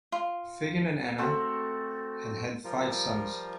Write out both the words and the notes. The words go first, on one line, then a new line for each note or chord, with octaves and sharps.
Fagan and Anna had had five sons.
F4
A3 C4 F#4
F3 G3 F4 A#4